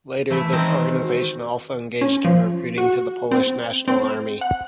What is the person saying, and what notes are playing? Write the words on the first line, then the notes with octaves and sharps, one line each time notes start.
Later this organization also engaged in recruiting to the Polish National Army.
E3 A3 E4 E5
D#3 G#3 C4
F#4
C#4
F3
F#4
C4
C4
F#5